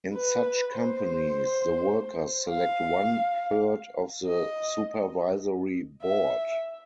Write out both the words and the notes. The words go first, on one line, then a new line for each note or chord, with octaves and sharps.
In such companies, the workers select one-third of the supervisory board.
B4
C5
F5
D#5
E5